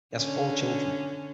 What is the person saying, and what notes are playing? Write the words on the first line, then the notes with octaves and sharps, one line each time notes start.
He has four children.
D3 C#4